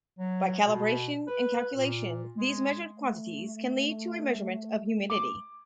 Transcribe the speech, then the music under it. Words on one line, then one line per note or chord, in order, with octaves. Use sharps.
By calibration and calculation, these measured quantities can lead to a measurement of humidity.
F#3
B2
B4
A#2
G#3
A3
D6